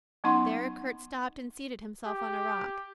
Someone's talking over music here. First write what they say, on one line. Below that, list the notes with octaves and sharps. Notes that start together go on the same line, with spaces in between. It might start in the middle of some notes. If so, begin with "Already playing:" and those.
There Kurt stopped and seated himself on a rock.
F#3 B3 C#4 D#4 F#5 C6
G4